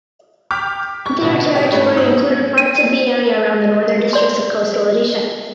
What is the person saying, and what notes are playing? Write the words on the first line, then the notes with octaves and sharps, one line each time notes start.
Their territory included parts of the area around the northern districts of coastal Odisha.
G5 D6 F6 G6 B6 F7
C#6
A1 B2 D3 F4
C4 C#4 G4 C#5 D5
G#2 A3 B4 C#5
G#2 C#4 D#4 E6 F#7
D#7
D5 C6